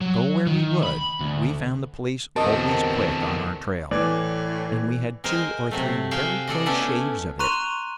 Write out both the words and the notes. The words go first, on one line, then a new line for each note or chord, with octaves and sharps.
Go where we would, we found the police always quick on our trail, and we had two or three very close shaves of it.
F#3
D#3
B5
D2
E2 D3 C4 G4 A#4 D#5 A5 D#6
A2 E3 D5
G#3 A#4 C5 D#5 G5 G#5
C3 F#3 A3
F#4 G#4 E5 F5 G5
G#4 A4 D5 D#5
A3 B3 C#4 D4 E4
A#5 C6 C#6 F#6 D#7 F7